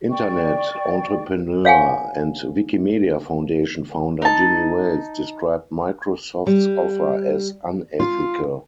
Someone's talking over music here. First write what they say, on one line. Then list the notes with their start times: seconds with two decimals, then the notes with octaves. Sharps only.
Internet entrepreneur and Wikimedia Foundation founder Jimmy Wales described Microsoft's offer as unethical.
0.09 D5 G5 C#6
1.65 C#5 F5 F#5 G#5
4.22 D#4 A5
6.47 G3
8.00 F4